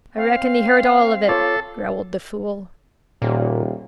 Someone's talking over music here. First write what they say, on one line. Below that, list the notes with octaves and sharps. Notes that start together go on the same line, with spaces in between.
"I reckon he heard all of it," growled the fool.
C4 F5
F4 A4 C#5 D6
D#1 A#2